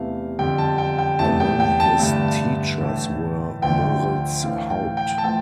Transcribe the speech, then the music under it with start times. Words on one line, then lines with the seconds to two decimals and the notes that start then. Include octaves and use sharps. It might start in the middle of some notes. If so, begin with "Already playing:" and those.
Among his teachers were Moritz Haupt.
Already playing: E2 C3 E3 A3 F5
0.39 F2 D3 G3 G5
0.58 A5
0.78 G5
0.98 G5
1.19 E2 C3 E3 A3 A5
1.40 G5
1.60 G5
1.80 A5
2.00 G2 D3 A3
2.81 A2 E3 A3
3.62 D2 D3 F3 A3 G5
4.43 A2 E3 A3 F5
4.70 G5
4.97 G5
5.18 A5
5.24 F3 A3 G5